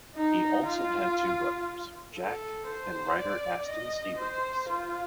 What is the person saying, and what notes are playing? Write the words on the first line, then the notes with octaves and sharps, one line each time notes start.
He also had two brothers, Jack and writer Aston Stevens.
D#4
F4
A4
C5
D5
D#5
C5
F4